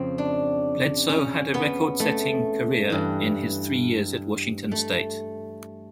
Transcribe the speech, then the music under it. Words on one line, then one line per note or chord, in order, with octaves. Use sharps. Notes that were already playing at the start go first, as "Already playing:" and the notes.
Bledsoe had a record-setting career in his three years at Washington State.
Already playing: F2 C#3 C4
D4
C#4
B3
A3
G2 E3
A3